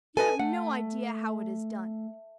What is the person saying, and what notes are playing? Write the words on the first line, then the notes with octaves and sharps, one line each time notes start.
'You have no idea how it is done.
A4 B4 D#5 G#5
A3 F#5